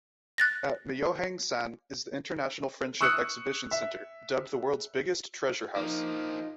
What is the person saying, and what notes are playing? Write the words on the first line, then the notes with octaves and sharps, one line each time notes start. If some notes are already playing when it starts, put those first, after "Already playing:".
At Myohyang-san is the International Friendship Exhibition centre, dubbed the world's biggest treasure-house.
F#6 A6 A#6
C#6 D#6 E6 F#6 C#7
E5
F3 A#3 D#4